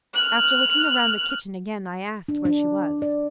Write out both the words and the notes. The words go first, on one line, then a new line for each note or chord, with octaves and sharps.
After looking round the kitchen again, I asked where she was.
F6 F#6
D4
D4
D5